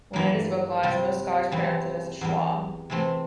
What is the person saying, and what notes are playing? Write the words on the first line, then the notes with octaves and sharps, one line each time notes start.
When it is vocalised, most scholars pronounce it as a schwa.
G2 E3 A#3
C3 G3 C4
E2 E3 G3 C4
E2 E3 G3
C3 E3 A3 C4